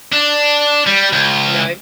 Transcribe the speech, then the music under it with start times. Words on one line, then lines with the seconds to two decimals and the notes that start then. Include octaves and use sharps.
you know?
0.13 D4
0.87 G3
1.13 C#2